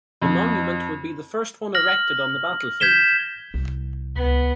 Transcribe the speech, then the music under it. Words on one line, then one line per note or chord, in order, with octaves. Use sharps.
The monument would be the first one erected on the battlefield.
F2
F6 A#6 F#7
G6 G#6 B6 E7 G7
C2
C#2 B3